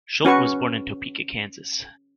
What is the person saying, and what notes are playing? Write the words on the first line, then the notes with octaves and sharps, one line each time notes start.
Schuldt was born in Topeka, Kansas.
C#4 F#4 B4 C#6